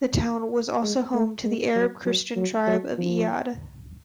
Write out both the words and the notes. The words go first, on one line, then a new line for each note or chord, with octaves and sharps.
The town was also home to the Arab Christian tribe of Iyad.
G#3
A3
G#3
F#3
F#3
F#3
F#3
F3